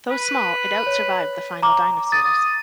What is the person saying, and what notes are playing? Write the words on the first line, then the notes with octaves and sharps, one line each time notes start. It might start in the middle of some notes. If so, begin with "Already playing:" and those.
Though small, it outsurvived the final dinosaurs.
B4
C#5
A#5 D6
D#6 A6